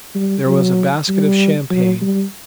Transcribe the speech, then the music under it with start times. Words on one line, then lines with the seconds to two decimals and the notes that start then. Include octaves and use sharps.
There was a basket of champagne.
0.15 G3
0.46 F#3
1.08 G3
1.70 F#3
2.01 G3